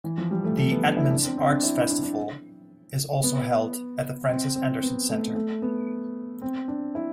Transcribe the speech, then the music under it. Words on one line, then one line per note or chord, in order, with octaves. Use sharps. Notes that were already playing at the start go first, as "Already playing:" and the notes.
The Edmonds Arts Festival is also held at the Frances Anderson Center.
E3
F3
G3
A3
A3
B3
D4
E4
D4
C4
C4
D4
E4
E4
D4
D4
B3
C4
C4
B3
A3
A3
B3
C4
D4
E4